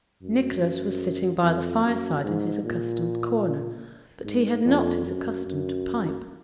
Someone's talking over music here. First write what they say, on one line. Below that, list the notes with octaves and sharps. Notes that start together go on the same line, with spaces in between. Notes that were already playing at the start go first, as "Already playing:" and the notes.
Nicholas was sitting by the fire-side in his accustomed corner: but he had not his accustomed pipe.
F#2
F2
F#2
G#2
A#2
G#2
F2
F#2
F#2